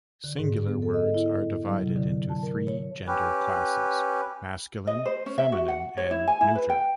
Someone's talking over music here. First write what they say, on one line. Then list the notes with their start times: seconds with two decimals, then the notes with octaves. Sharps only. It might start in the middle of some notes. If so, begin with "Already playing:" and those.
Singular words are divided into three gender classes: masculine, feminine, and neuter.
0.24 D3
0.39 G#2
0.66 B3
0.82 A4
0.94 D#5
1.14 E4
1.66 F#3
1.81 C3
1.96 D3
2.29 A5
2.43 A#4
2.67 C#5
3.08 C#4 G4 B4
4.87 D#5
5.06 C5
5.26 C#4
5.38 E5
5.52 F#4
5.68 F#5
5.97 C#5
6.11 E4
6.28 G#5
6.41 E4
6.55 B4
6.70 G5